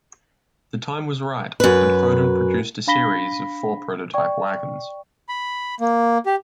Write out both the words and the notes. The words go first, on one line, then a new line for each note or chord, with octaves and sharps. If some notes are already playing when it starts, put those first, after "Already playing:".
The time was right and Foden produced a series of four prototype wagons.
F#2 B4
D4 F5 B5 A#6 B6 G7
D5 G5 C#6
B5
A#3
G4